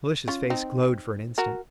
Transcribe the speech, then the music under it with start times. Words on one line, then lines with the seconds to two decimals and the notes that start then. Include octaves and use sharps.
Felicia's face glowed for an instant.
0.28 C#4 F4
0.50 C4 D#4
1.38 F#4 A#4